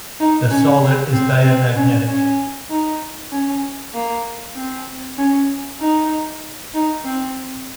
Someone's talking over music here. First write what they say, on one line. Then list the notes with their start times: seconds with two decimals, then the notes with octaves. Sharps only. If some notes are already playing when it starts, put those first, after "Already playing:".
The solid is diamagnetic.
0.20 D#4
0.51 C#4
0.83 C4
1.13 C4
1.44 C4
1.76 C#4
2.07 C#4
2.69 D#4
3.31 C#4
3.94 A#3
4.55 C4
5.18 C#4
5.81 D#4
6.74 D#4
7.05 C4